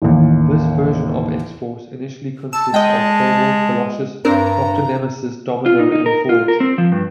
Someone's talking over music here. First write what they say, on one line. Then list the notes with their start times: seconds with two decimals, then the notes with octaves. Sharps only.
This version of X-Force initially consists of Cable, Colossus, Doctor Nemesis, Domino, and Forge.
0.02 A1 D#2
2.53 A5 E6
2.74 G#3 D#5 G5
4.25 G2 C4 D4 A#4 A#5
5.66 F4
5.79 D#4
5.92 D#4
6.06 A#4
6.29 F4
6.48 A#4
6.60 C4
6.78 F3
6.92 G2